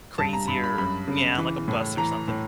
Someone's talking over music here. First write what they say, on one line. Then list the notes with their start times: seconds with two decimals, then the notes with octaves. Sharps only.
crazier, yeah, like a bus or something.
0.18 G2 A5
0.33 A#5
0.48 G2 B5
0.64 B5
0.78 F#2 B5
1.08 C#3
1.38 E3
1.68 A2
1.97 E3 A#5
2.28 A2